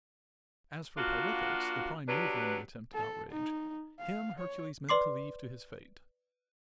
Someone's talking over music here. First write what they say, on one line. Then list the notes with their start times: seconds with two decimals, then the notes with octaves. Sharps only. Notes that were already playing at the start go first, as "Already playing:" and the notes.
As for Pirithous, the prime mover in the attempted outrage, him Hercules meant to leave to his fate.
0.97 A#3 D4 F4 F#4
2.08 F#3 G3 D4 B4
2.94 A4
3.31 D#4
3.99 F5
4.39 C#5
4.89 B4 D5 C6 D6 C7